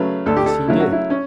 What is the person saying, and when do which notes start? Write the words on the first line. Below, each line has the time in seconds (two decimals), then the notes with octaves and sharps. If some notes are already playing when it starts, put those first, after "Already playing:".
Yes, he did.
Already playing: C#3 F#3 A3 B4
0.26 D2 A4
0.37 G4
0.46 A4
0.67 C#3 F#3 A3 E4
0.80 F#4
0.92 E4
1.10 C#4